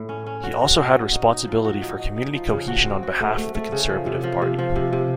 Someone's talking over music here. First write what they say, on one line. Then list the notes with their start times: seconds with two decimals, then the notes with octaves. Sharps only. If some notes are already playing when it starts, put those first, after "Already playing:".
He also had responsibility for community cohesion on behalf of the Conservative Party.
Already playing: A2
0.09 C#4
0.26 C#4
0.43 F#4
0.60 F#4
0.78 F#4
0.95 C#4
1.13 D#4
1.30 D#4
1.47 F3
1.65 F#4
1.82 D#4
1.99 D#4
2.16 D#4
2.34 F3
2.51 C#3
2.68 F#4
2.85 C4
3.03 F#4
3.20 A3
3.37 A3
3.55 A3
3.72 C#3
3.89 F3
4.06 C3
4.24 F3
4.42 C3
4.59 F3
4.76 C3
4.93 C3